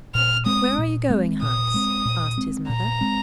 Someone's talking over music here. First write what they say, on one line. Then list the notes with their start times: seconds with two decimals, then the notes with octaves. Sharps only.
'Where are you going, Hans?' asked his Mother.
0.15 A#2 F6
0.46 G#3 C4 D#6
0.78 A#2
1.10 G#3 C4
1.42 A#2 D#6
1.74 G#3 C4
2.05 A#2
2.37 G#3 C4
2.69 A#2 A#5
3.01 G#3 C4